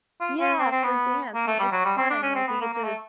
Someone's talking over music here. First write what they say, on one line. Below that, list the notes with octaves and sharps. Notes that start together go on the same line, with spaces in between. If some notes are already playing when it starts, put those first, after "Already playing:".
Yeah, for dance, and it's fun, like, we get to
F4
C#4
C4
C4
B3
A#3
A3
G3
F#3
G3
C4
D4
C#4
C4
B3
A#3
A#3
A3